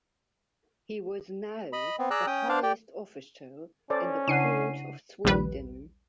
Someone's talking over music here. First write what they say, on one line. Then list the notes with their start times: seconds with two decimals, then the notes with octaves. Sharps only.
He was now the highest official in the court of Sweden.
1.73 D#5 B5
1.99 B3 C4
2.11 G#4 D5 A#5 E6 F#6
2.27 C#4 G5 D#6
2.49 D4 C5 D5 F5
2.63 G4 D5 G5
3.90 C#4 A4 C5 D5
4.28 C#3 D4 E4 F#5 C#6 C7 D#7
5.25 A#1 D#2 G3 B4